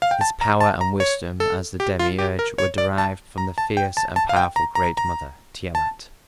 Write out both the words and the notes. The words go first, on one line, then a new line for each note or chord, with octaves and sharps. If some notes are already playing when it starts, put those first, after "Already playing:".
His power and wisdom as the Demiurge were derived from the fierce and powerful Great Mother, Tiamat.
F5
G5
A5
A#5
A5
A#5
C#5
A4
G4
F4
G4
A#4
C#5
D5
A5
A#5
A5
G5
A5
A5
F5
G5
A#5
A#5
A#5
A5